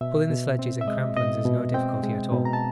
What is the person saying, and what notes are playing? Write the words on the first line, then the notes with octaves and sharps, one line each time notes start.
Pulling the sledges in crampons is no difficulty at all.
B2 E5
B2
C4
E5
G#3 D#5
B2 D#5
B2
C4 G5
G#3
B2
A#5
A5